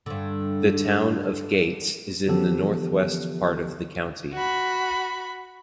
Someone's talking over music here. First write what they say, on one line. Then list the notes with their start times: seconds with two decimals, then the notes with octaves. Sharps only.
The Town of Gates is in the Northwest part of the county.
0.06 G2 D3
2.28 D3 E3 F3 B3 G4 A4
4.33 F#4 B5